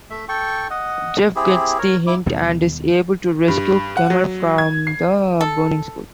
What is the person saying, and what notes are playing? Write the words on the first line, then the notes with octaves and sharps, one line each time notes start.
Jeff gets the hint and is able to rescue Kemal from the burning school.
A3 E5
A4 G5 C#6
D#5 F#5
C4 E4 G4 G#4
A#4 C#5
E4 D6
D#2 B2 D#3 G3
G2
F#5
F#3
G#6
C7
A4